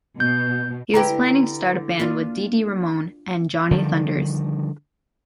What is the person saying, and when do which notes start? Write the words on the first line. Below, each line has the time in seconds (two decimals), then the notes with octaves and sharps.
He was planning to start a band with Dee Dee Ramone and Johnny Thunders.
0.20 B2 G6
0.94 D3 E4 G4 B4 A#5
2.00 A#3 D4 F4
3.71 D3 D#3 F3 G3